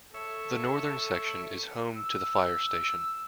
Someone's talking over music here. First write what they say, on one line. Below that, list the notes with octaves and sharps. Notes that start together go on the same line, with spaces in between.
The northern section is home to the fire station.
A4 C#5 E5
E6